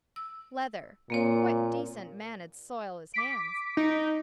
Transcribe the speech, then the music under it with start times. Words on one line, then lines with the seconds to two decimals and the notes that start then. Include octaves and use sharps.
Leather--what decent man'd soil his hands?
0.16 E6
1.10 A#2 A#3 C4 C#5
3.14 D6 B6 D7
3.77 D#4